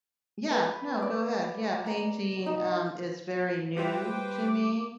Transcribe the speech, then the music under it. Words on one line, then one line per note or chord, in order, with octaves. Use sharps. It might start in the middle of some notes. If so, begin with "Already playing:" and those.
yeah. No, go ahead, yeah, painting, um, is very new to me.
B4
D5
A#5
D#4
G3 F4 G4 B4 C5 E5 G5 D6